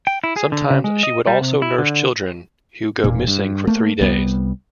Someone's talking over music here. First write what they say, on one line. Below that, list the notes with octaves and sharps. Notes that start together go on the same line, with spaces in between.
Sometimes she would also nurse children who go missing for three days.
G5
E4
G#4
D3
C#3
G#3
D#5
G3
C3
E4
D3
E1 A#2 A#3
G2
A3 A#3
C2 G3 B3